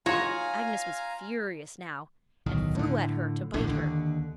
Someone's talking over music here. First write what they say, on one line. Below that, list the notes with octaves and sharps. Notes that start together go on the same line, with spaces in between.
Agnes was furious now, and flew at her to bite her.
D#4 F4 F#4 G#4 C#5 F5 G#5 A#5
D1 B1 D#3
A2 D3
E1 A#1 A2 D3
D#2 D3